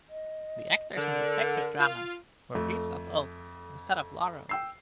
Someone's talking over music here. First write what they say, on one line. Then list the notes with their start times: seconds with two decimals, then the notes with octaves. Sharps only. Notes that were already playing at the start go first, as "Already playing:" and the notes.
The actors in the sacred drama wore wreaths of oak instead of laurel.
0.10 D#5
0.96 D3 A#4
1.79 F4
2.55 F2 A3
4.49 G5 E6 C7